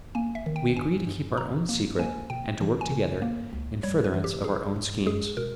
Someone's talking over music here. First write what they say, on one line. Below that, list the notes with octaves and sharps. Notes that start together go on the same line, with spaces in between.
We agree to keep our own secret, and to work together in furtherance of our own schemes.'
A#3 G#5
E5
D#3
G5
G2 G#5
G2
B2 A#5
A#3
A#3 G#5
B2 G5
E3
G#5
C#3
A#3
C#2
G3 C#5
B4
E3
G4
G2 G#4
G2
G#3 G#4
B2 A#4